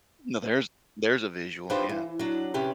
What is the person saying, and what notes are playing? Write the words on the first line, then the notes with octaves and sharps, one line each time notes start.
Now there's there's a visual, yeah.
D4 D#4 F4 G4 B4 C5
E3
F#3 D4
C3 C#4 G4 B4